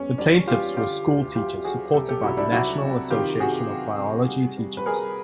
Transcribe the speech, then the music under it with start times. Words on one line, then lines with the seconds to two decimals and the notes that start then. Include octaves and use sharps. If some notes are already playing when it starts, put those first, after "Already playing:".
The plaintiffs were school teachers supported by the National Association of Biology Teachers.
Already playing: E2 G3 C#4
0.18 G3 D4
0.47 E3 F4 G4
0.77 D3 F4 G4
1.06 D2
1.35 F#3 F4 G4
1.64 F#3 F#4 G#4
1.93 C2 G4 A4
2.09 G4 A4
2.22 C2 E4 F#4
2.37 D4 E4
2.52 F#3 E4 F#4
2.81 C3
3.10 D#3 F4 G4
3.40 C3 F#4 G#4
3.69 F#3
3.98 C3
4.28 G3
4.57 G3
4.77 B4
4.86 G3 G#4 A#4